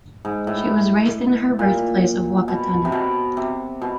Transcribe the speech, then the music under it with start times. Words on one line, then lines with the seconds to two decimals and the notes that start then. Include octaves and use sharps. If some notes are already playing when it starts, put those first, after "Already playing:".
She was raised in her birthplace of Whakatane.
0.25 G#2
0.47 A2
1.59 A#2
2.48 B2
2.85 C3
2.92 B2
3.37 C3
3.81 B2